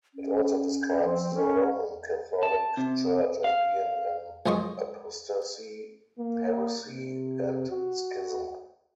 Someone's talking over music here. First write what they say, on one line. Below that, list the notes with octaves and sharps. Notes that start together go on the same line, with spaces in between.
It also describes the Roman Catholic Church as being in apostasy, heresy, and schism.
C#4
F3 C4
C#4 A#4
A5
C3
F5
C#2 F#2 C5 D#5 C#6 D#6
A#3
C3
F#4